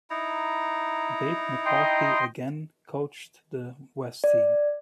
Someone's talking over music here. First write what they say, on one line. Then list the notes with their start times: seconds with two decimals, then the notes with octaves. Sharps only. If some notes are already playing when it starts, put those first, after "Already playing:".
Babe McCarthy again coached the West team.
0.10 D#4 E4 A#5
1.65 D#5 G5 C6
4.24 D5